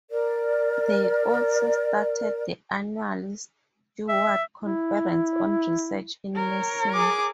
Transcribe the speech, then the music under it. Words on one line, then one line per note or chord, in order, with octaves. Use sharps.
They also started the annual Stewart Conference on Research in Nursing.
A#4 D5
E5
E4
A#4 C#5
G#4 D6